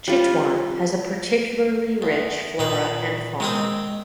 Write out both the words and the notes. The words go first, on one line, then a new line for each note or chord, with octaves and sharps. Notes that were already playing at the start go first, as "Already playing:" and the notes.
Chitwan has a particularly rich flora and fauna.
G3 F4
E2
A#2 D#3 B4
D#3 G#3 C4 G#4